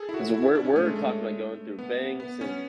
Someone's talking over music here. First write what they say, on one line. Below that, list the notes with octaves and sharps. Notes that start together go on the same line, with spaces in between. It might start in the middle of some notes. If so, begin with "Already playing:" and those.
because we're we're talking about going through banks and
Already playing: G#4 A4
E4
F#4
E4
D4
C#4
A3
G#3
A3
B3
B3
C#4